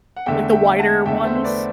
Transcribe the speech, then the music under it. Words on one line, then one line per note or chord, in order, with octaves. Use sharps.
Like the wider ones
F#5
E2 D3 A3 E5 G5
E5 G5
F#5 A5
E2 D3 A3 E5 G5
C5 E5
C5
B4 D5